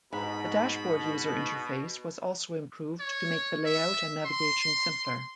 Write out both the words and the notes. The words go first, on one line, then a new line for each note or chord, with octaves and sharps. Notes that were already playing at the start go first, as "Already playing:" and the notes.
The dashboard user interface was also improved to make the layout and navigation simpler.
G#2 B2 B5
C#5
E5
C6